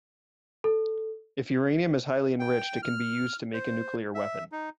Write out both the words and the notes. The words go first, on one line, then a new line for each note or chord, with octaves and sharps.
If uranium is highly enriched, it can be used to make a nuclear weapon.
A4
G5
F6
C5
E5
D#4